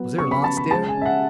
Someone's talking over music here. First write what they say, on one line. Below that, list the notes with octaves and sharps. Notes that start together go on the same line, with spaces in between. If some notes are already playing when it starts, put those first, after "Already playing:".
Was there lots there?
Already playing: F#3 B3
C#3 C#6
B5
C#3 A5
B5
G#3 A5
G#5
C#4 E5
F#5